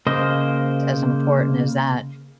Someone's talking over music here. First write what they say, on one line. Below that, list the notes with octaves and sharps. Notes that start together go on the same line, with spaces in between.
as important as that.
C#3 A#3 C5 D#5